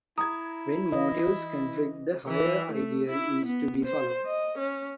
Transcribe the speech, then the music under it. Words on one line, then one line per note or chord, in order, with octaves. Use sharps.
When motives conflict, the higher ideal is to be followed.
E4 A#5 D#6 G#6
E3 D#5
E3
A3
E4
B3
C5
D#5
C#4